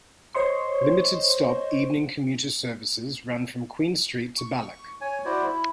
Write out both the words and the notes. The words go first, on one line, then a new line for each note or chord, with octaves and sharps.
Limited stop evening commuter services run from Queen Street to Balloch.
C5 C#5 D#5 C6 C#6
C#6
C#5 G#5
E4 F#4 C5 D5
E4